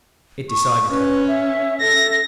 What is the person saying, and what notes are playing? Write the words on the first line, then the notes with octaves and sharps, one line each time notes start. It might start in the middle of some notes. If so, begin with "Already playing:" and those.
It decided her.
C#6
C#4 B4
E5
A4 A#6